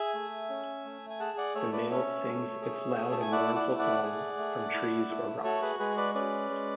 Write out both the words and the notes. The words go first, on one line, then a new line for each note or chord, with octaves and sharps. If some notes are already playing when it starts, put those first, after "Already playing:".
The male sings its loud and mournful song from trees or rocks.
Already playing: G#4 E5 G#5
A3
C#4
A3
G#5
G#4 F#5 A5
D5 F#5
A3 C#5 E5
B4 D5
C#4 C#5 E5
A3
G#4
A3
A5
G#5
E4 D5 F#5
D5 F#5
A3
D5 F#5
G#4
A3
E4
A3
F#4 A4 C#5
G#4 B4
G#3 G#4 B4
B4 D5
C#4 B4 D5
G#3